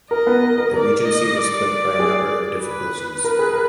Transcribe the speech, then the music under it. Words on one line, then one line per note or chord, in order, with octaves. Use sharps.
The regency was plagued by a number of difficulties.
A#4 D#5
B3 B4
A#4
A#4
A#4 D5
D#5
D5
G#4
B4
A#4 B4
G#4
A#4